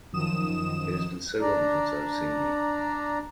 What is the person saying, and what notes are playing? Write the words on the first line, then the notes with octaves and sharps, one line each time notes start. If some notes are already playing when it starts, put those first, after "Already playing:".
It has been so long since I have seen you!
F#2 D#3 F3 D#6 E7
D4 D5 A#5